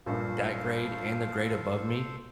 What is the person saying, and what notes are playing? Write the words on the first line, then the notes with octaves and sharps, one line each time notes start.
that grade and the grade above me,
A#1 G2 A#2 A4 C5 F5